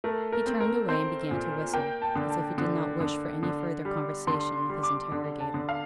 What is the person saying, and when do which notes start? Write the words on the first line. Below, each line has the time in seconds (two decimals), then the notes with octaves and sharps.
He turned away, and began to whistle, as if he did not wish for any further conversation with his interrogator.
0.04 A3 A#4
0.32 A#4
0.47 C4
0.60 A#4
0.89 C4 C5
1.31 A#2
1.73 A#3 G5
2.02 A5
2.16 D3
2.30 A5
2.58 D3
3.00 D3
3.43 D3
3.85 G3
4.27 D3 C6
4.69 G3
4.83 D6
5.12 D3
5.40 A5
5.54 D3
5.69 F5